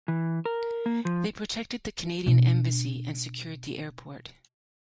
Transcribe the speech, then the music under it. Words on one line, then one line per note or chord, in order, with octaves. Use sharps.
They protected the Canadian embassy and secured the airport.
E3
A#4
A#3
F3
B2 D4